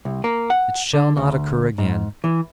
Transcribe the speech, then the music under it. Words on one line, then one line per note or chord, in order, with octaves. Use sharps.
'It shall not occur again.
C2
A#3
F#5
D3
D2
G#2
E3